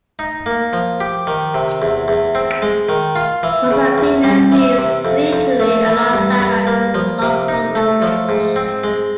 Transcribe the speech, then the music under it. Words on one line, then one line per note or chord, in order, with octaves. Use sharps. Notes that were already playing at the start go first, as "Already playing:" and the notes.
Posavina means literally along Sava in the local language.
D#4
A#3
F3
G4
D#3
C3
E2
E2
C4
G#3
D#3
F4
E3
C#3
E2
G3
E3
C3
F2
F2
A3
E3
G2
G2
A#3
F3
C3
D#4
A3
F3
G#2
C4
G#3